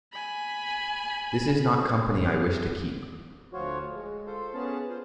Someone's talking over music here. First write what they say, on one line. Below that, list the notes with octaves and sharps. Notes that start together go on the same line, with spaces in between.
This is not company I wish to keep.
G#5 B5
D2 F3 F4 F#4 C#5
G#3
F4 A4 C5
B3 C#4 G#4 A5
F4 C5